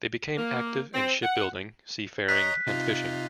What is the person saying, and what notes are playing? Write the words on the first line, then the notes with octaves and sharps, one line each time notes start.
They became active in shipbuilding, seafaring and fishing.
A#3
C4
F#5
C#5 D#5 A#5 F#6 B6
C3 D#4 F4